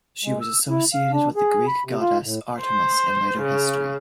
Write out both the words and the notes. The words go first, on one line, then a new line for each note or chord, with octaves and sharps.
She was associated with the Greek goddess Artemis in later history.
G#3
E6
E4
F5
D4
G#4
B5
C3
F4
A2
C5
C#3